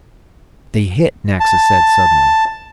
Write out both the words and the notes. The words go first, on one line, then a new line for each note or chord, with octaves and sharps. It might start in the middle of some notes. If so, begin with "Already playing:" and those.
"They hit!" Naxa said suddenly.
A5